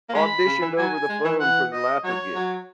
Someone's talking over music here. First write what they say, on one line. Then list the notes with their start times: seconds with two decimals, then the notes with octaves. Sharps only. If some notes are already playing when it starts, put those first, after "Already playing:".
au auditioned over the phone for the laugher gig,
0.09 A#3
0.15 G#3 B5
0.46 C#3
0.61 E3
0.77 F#3 G#5
1.09 G#3
1.24 E3
1.40 E3 F#5
1.72 D#5
2.03 F#3 C#5
2.35 F#3